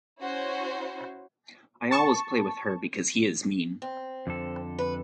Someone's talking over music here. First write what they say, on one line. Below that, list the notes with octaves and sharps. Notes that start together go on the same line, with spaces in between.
I always play with her because he is mean.
C#4 E4 F#4 C5
A5 C#6
C4
F2 D3 A4
B4